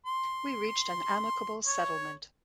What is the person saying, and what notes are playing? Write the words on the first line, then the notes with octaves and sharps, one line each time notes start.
We reached an amicable settlement.
C6
C#5